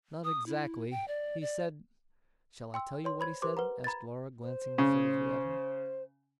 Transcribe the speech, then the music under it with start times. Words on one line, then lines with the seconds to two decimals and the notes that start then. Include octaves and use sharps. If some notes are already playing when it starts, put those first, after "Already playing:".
"Not exactly, he said--shall I tell you what he said?" asked Laura glancing furtively at him.
0.24 D#6
0.46 E4
0.91 G5
1.08 D5
1.41 D5
2.74 G5 C6 E6
3.04 B4 C#5 C6
3.20 C5 B5 G#6
3.42 G4 A#4 C5 C6 D6
3.57 B4 F#5 A#5
3.84 A#5 B5 G#6 A6
4.42 C5
4.78 C#3